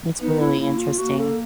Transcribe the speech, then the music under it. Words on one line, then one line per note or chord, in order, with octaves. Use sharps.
It's really interesting.
B3 D#4
E4
A#3 E4
F4
A#3 F#4
A4